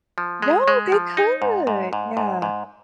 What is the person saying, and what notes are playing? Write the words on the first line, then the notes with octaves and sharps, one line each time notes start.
Yo, they could. Yeah.
F3
G#3
G#3
F3
D#4
G#2
G#2
G#2
G#2
G#2